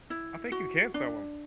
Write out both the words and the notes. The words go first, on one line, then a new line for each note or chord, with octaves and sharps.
I think you can sell 'em.
E4
F#4
D4